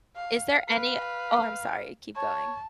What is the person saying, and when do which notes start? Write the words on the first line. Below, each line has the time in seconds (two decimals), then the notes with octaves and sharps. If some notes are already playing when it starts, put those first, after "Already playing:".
Is there any Oh, I'm sorry keep going.
0.16 F5
0.69 B4 F5
2.16 C#5 A5